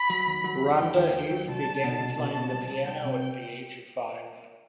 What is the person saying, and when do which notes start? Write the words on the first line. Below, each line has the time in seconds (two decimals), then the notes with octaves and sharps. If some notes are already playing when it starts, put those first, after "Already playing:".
Rhonda Heath began playing the piano at the age of five.
Already playing: B5
0.10 F#3
0.26 D#2
0.44 F#3
0.61 D#2
0.78 D#2 G5
0.97 D#2
1.14 D#2
1.31 F#3
1.48 C2 A5
1.65 C2
1.84 B2
2.00 C2
2.18 B2 A5
2.36 B2
2.53 C2
2.71 C2
2.87 C2 G5
3.05 C3